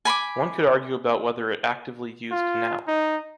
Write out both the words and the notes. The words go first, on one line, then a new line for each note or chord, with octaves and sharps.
One could argue about whether it actively used now.
G#5 B5 C6 D6
F4
D#4